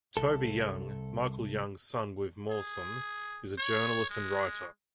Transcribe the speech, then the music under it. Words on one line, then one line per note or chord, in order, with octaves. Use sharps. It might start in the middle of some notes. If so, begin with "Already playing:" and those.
Toby Young, Michael Young's son with Moorsom, is a journalist and writer.
C2 A4
G#4
C#5
G#3